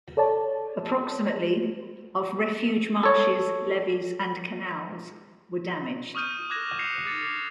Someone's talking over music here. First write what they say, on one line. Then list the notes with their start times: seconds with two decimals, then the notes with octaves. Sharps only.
Approximately of refuge marshes, levees, and canals were damaged.
0.17 A4 C#5 D5 A5
3.03 A4 C#5
6.15 C#6 D#6 F6 G6 D#7
6.50 D6 F#6 G#6 A#6 E7
6.79 G6 A#6 C7 C#7 F7
7.06 D6 A6 C#7